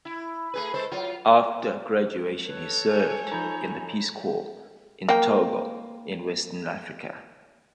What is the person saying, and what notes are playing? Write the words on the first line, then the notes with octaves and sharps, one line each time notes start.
After graduation he served in the Peace Corps in Togo, in western Africa.
E4
A3 G#4 B4
G#3 A4 C5
F#3 F4
A4 B4 C#5
G#5
F3 D#4 A#5 B5 G6
A#3 G5